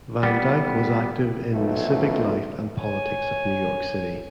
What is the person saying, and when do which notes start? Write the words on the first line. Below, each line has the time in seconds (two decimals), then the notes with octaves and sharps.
Van Dyck was active in the civic life and politics of New York City.
0.23 G3 B3
1.54 B1 F3 A3
2.80 C#5 G#5